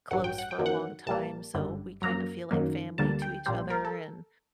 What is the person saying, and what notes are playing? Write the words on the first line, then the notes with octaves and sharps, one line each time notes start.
close for a long time, so we kinda feel like family to each other, and,
A1 G2 F#3 F#5
G5
F#5
G5
F#2 D#3 F#3 A#3
F#5
A#1 A#2 G3 A#3 A5
G1 F#2 D3 G3
F#2 F#3 A#3 A#5
F#2 D#3 F#3 A#3
D2 D3 G3 A#3 A5
G5
A#1 A#2 G3 C5
A#4
A4